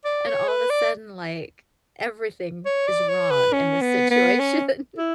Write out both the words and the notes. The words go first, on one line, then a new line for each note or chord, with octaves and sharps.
and all of a sudden, like, everything is wrong in this situation.
D5
C#5
B4
D5
C#5
D5
C#5
B4
C#4
B3
B3
C#4
E4